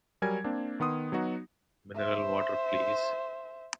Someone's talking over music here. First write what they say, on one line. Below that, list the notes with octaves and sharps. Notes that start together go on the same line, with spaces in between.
Mineral water please!
F#3 G3 A#4 G#5 G#6
A#3 C4 D4
D#3 B3 C6 D#6
F#3 B3 D#4 F#4
C5 E5